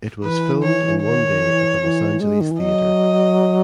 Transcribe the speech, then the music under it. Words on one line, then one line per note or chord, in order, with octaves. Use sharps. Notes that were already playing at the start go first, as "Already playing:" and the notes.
It was filmed in one day at the Los Angeles Theatre.
E3 B4
C#5
D#3 C#5
E3
E3
G#3
D#3
E3
F#3 D#5